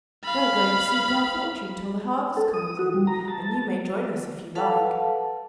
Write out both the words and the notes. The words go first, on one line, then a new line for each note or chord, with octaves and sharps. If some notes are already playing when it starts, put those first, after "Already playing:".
"We're going to seek our fortune till the harvest comes in, and you may join us if you like."
F5 B5
A4
D#6
F#4
G3
A#5
A5
A5
A4 B4 F5 F#5 A5